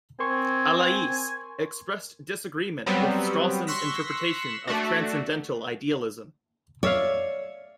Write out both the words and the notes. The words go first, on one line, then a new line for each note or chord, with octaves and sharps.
Allais expressed disagreement with Strawson's interpretation of transcendental idealism.
C4 A#4 G#5 C6 C#6
F#3 G3 B3 C4
C6 C#6 E6 F#6 A#6 B6
A3 D4 F#4
C#5 D5 E5 F5